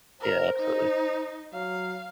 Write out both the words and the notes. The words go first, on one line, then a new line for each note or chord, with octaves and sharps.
Yeah, absolutely.
A#4 C5
D#4
F#3 F5